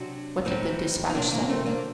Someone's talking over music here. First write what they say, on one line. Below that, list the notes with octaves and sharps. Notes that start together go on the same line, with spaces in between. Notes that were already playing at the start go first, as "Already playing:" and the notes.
What did the despatch say?
Already playing: C3 F#3 D4 F#4
A2 F#3 C4 D#4
D#4
C3 D#3 F#3 A#3 D4
A#3
A3 C4
A#3 D4